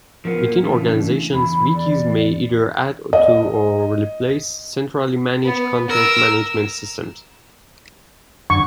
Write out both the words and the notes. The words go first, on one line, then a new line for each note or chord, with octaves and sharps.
Within organizations, wikis may either add to or replace centrally managed content management systems.
F3 B3 A#4
A#2
C#3 E3 A3 D4
E2 B5
D5
D#5
B3
A#4 E6
F#2 D3 C#6